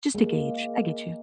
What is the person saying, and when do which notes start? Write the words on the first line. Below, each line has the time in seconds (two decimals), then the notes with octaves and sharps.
Just to gauge. I get you.
0.15 G#3 A#3